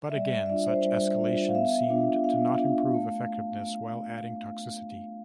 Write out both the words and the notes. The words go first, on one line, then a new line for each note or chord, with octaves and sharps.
But again, such escalation seemed to not improve effectiveness while adding toxicity.
E5
G3 D5
E5
E5
D4 F4 D5
C5
G3
D4 F4
F5
B3 E5
D4 F4
B3 F5
D4 F4
A3